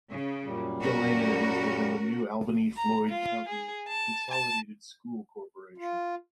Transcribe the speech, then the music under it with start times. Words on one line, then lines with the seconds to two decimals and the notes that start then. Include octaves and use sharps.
Galena is within the New Albany-Floyd County Consolidated School Corporation.
0.11 C#3
0.44 F#2 A#2 G3
0.81 C#4 F#4 A#4
2.76 A#5
3.09 F4
3.49 G#4
3.88 A5
4.30 A5
5.78 F4